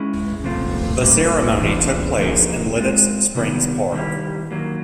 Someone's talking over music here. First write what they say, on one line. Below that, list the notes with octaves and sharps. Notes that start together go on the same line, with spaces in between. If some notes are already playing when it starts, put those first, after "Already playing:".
The ceremony took place in Lititz Springs Park.
Already playing: G#3 C#4 E4
C3 F3 A3 C4 F4
A#2 G3 A#3 C#4 F#4
E3 G3 B3 D4 F4
D3 F3 A#3 D#4 G#4
G#3 C4 F4
C3 D#3 G3 B3
D#3 G3 C4 E4 G4
D#3 F#3 A#3